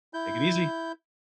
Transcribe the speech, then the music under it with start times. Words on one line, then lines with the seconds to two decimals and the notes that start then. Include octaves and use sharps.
Take it easy,
0.14 E4 G6